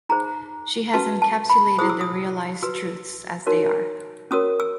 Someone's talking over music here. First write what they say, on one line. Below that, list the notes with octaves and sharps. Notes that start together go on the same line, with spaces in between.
She has encapsulated the realized truths as they are.
D#4 G#4 C5 A#5
C#4 F#4 B4 A5
A5
B5
E4 G#4 C5 D#6
E6
D#6
F#4 B4 E6
D#4 F#4 A#4 C#5
C#4 F#4 A#4 C#5 D#6
E6